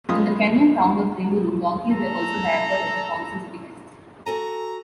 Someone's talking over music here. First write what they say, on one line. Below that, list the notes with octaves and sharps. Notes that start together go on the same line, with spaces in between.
In the Kenyan town of Limuru, donkeys were also diapered at the council's behest.
F#2 F3 G#3 F5 B5 D#6
A4 A#5
F#4 A4 G#5 A#5